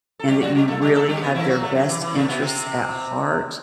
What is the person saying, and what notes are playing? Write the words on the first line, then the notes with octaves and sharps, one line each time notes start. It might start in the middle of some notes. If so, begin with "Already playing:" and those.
and that you really have their best interests at heart,
A4
G3 G4
F#3 F#4
G3 G4
A3 A4
G3 G4
A3 A4
G3 G4
B2 B3
E3 E4
F#3 F#4
A2 A3
F#2 F#3
E3
E3
A2 A3
B2 B3
C3 C4